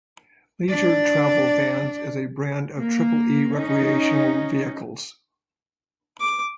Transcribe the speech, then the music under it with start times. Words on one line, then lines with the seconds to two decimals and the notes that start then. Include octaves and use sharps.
Leisure Travel Vans is a brand of Triple E Recreational Vehicles.
0.69 D4 D5
2.78 A#3
3.53 C#4 D#4
6.20 D6